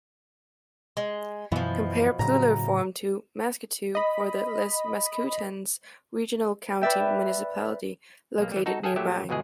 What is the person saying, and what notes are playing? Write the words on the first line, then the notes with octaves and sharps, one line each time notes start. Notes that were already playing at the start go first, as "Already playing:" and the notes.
Compare plular form to "maskutew" for the Les Maskoutains Regional County Municipality located nearby.
G#3
F#2 B2 E3 F3
A2 C#3 F#3 A#5
D#5 B5
B4 D5 E5 G5
B1 A#3
E3 G3
D#4 F#4 A4
G#4 A4 F5 G5 G#5
A#2 F#3 A3 G4 E5
G1 B2 E3 G#3 G#4